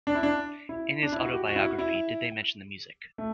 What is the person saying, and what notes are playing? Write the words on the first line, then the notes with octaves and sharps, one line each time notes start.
In his autobiography Did They Mention the Music?
D4
E4
D4
E4
D4
E4
F#4
G4
F#4
E4
F#4
E4
A3